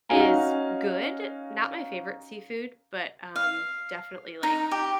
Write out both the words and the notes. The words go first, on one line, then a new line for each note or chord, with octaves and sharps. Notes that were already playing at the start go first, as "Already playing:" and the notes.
is good, not my favorite seafood but, um, definitely like
C#4 D#4 F#4 F5 G#5 A#5
F5
D#4
G4